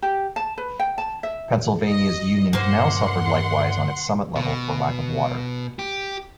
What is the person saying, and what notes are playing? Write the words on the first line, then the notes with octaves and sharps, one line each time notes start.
Pennsylvania's Union Canal suffered likewise on its summit level for lack of water.
G4
A5
B4
G5
A5
E5
D#5
G2 A#3 C5 F#5 C6
B2
G4